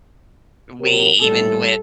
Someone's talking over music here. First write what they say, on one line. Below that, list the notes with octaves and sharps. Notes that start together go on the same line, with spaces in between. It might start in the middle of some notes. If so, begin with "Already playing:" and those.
we even with,
C3 F#3 A#4
A2 G3 A4